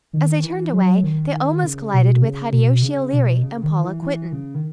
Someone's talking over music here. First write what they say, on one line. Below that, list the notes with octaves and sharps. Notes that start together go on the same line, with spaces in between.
As they turned away, they almost collided with Hideyoshi O'Leary and Paula Quinton.
D#3
E3
F#3
D#3
D#3
C#3
B2
B2
C#3
B2
C#3
B2
C#3
D#3
E3
E3
C#3
D#3